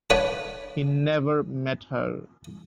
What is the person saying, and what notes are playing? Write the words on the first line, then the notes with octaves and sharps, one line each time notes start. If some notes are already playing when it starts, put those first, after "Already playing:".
He never met her.
D4 B4 C#5 F#5 A5